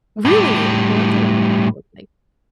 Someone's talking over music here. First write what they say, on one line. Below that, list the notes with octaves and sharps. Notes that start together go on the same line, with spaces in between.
Really? Well, that's not a bad thing to look like.
A2 G3